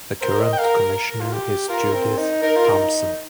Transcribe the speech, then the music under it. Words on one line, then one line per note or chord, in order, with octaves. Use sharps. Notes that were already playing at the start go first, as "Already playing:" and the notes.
The current commissioner is Judith Thompson.
A#4 C5
D#5
G5
A#4 F5
A#4
F4
G4
F4 A#4
C4
D#4
D#4 A#4
F4
D#4